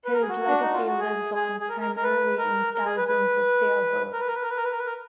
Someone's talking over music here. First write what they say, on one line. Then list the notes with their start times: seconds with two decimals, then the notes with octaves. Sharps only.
His legacy lives on primarily in thousands of sailboats.
0.05 B4
0.14 A#4
0.22 G#4
0.29 F#4
0.48 D4
0.61 D#4
0.73 F4
0.87 F#4
0.99 G#4
1.34 G#4
1.60 G#4
1.69 A#4
1.81 A#4
1.96 A#4
2.03 B4
2.38 A#4
2.74 A#4
2.85 G#4
2.97 B4
3.08 B4
4.13 A#4
4.20 B4
4.27 A#4
4.36 B4
4.42 A#4
4.50 B4
4.57 A#4
4.64 B4
4.72 A#4
4.79 B4
4.86 A#4